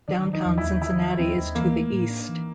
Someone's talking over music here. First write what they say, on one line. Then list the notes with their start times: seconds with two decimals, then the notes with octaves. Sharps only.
Downtown Cincinnati is to the east.
0.08 D#3 D4
0.27 F#3
0.33 D#4
0.45 D#2
0.58 E4
0.64 D#2
0.82 D#3 E4
0.99 F#3
1.18 D#2 C4
1.37 D#2
1.55 E3 A#3
1.73 A3
1.92 A2
2.10 D4
2.29 E3